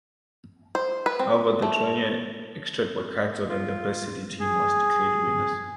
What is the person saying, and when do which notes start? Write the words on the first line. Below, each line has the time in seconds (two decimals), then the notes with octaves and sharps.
However the Torneio Extra was cancelled and the best seeded team was declared winners.
0.75 C5
1.06 B4
1.19 C4
1.62 A3
3.49 F4
4.40 G#4